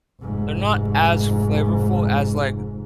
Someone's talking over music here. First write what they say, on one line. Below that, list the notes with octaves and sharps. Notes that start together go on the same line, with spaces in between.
they're not as flavorful as, like,
F1 G#2